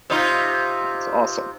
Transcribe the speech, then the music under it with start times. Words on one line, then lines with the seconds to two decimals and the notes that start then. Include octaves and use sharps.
It's awesome.
0.10 C3 D#4 F4